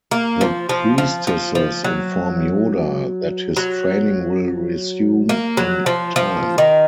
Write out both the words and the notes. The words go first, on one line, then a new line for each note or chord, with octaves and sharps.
The priestesses inform Yoda that his training will resume in time.
A#3
F3
F3
F3
F3
F3
F#3
F#3
A#3
F#3
F3
F3
D#3